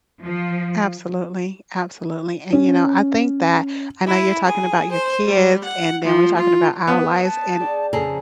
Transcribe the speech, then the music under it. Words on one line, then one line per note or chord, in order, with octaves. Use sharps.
Absolutely, absolutely. And, you know, I think that I know you're talking about your kids, and then we're talking about our lives and
F3
C#4
E4
G#4
C5
G3
F#5
F3
F4
B3
A5
G#4 D5 G5
F2 C#3 G#4 A4 A#5